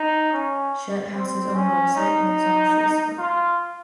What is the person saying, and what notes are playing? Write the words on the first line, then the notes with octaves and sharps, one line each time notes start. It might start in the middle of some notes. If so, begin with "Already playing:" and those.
Chet has his own website, and is on Facebook.
Already playing: D#4
C#4
C4
C#4
D#4
F4